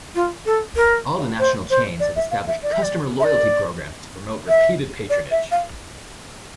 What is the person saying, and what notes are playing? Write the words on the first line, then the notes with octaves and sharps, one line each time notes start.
All the national chains have established customer loyalty programs to promote repeated patronage.
F4
A4
A#4
C5
C5
D5
E5
F5
E5
D5
E5
D5
E5
D5
E5
D5
E5
F5